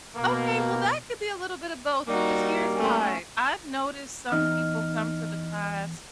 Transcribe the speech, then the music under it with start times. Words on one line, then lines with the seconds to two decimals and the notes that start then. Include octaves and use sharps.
Okay, well, that could be a little bit of both because here's why, I've noticed some people come to the class
0.16 B2 A#3
2.07 G3 A#3 D#4 F#4
2.75 A3 C#4
4.32 E2 D#4 D#5 F6